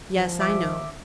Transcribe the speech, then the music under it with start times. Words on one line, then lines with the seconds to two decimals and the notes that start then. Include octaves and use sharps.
"Yes; I know."
0.15 F3
0.40 E5 D6